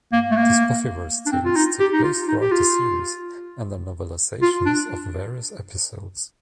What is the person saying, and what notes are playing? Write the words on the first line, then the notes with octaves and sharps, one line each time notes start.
These Buffyverse tales take place throughout the series and are novelizations of various episodes.
A#3
A3
A#3
D4
C4
F4
D#4
G4
D#4
F4
D#4
G4
F4
F4
D4